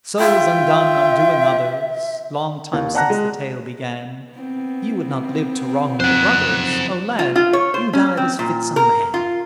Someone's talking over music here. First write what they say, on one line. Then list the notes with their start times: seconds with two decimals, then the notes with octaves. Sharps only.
Souls undone, undoing others,- Long time since the tale began. You would not live to wrong your brothers: Oh lad, you died as fits a man.
0.20 F4 E5 G5
2.73 D#2
2.94 D5 F#5 A5 A#5 F#6 A#6
3.10 G#3
4.32 B3 C4
6.00 F#1 F2 C5 F#5 F#6
7.19 F4
7.35 F4
7.53 C#5
7.74 C5
7.93 C#4
8.17 C4
8.39 A#2
8.76 A#4
9.14 F4